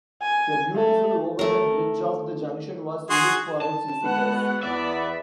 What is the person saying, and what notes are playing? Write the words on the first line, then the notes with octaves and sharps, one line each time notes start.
A beautiful overhead bridge of the junction was unique for its visitors.
G#5
A3
A3 A#4
F#4 G#4 C6
A5
G#3 B3 F#4 B4 F#5
E2 B3 D5 E5